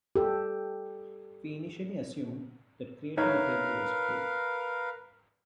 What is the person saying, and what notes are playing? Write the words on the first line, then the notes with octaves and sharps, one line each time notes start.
We initially assumed that creating a table was free.
G4 A4
D#4 A#4 B4 C#5 E5 F5